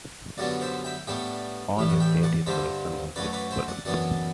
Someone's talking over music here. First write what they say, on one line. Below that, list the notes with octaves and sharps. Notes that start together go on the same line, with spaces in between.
On his death his collection was dispersed.
F#2 D3 G3 B3 D4 D5 F#5
C5 E5
E5 G5
A2 G3 B3 D4 E5 G5
A1 A2 G3 E5
F#5
E5 G5
D5 F#5
G2 D3 G3 C4 C5 E5
F#2 F#3 A3 B4 D5
B4 D5
C5 E5
D5 F#5
F#2 E3 B3 D4 D5 F#5